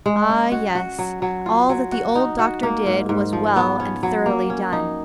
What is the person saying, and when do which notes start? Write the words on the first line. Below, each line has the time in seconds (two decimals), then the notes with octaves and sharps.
Ah, yes, all that the old doctor did was well and thoroughly done.
0.06 G#3
0.30 C#4
0.52 F#4
0.75 F#4
0.99 F#3
1.22 F#3
1.46 F4
1.69 F#3
1.92 F#4
2.15 D#4
2.39 F#4
2.63 A#3
2.86 G#2
3.09 G#2
3.33 F3
3.56 B3
3.80 C#4
4.03 F#3
4.26 A#3
4.50 C#4
4.73 D#4